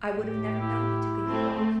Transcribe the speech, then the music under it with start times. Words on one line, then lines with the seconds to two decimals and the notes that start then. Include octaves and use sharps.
I would have never known he took a year off.
0.14 A2 G4
0.59 E4
1.27 A3 C4